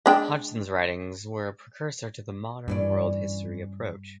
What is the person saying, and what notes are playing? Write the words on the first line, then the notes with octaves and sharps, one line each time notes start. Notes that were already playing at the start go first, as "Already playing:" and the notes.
Hodgson's writings were a precursor to the modern world history approach.
G#3 D4 G5
G2 E3 C#4 D5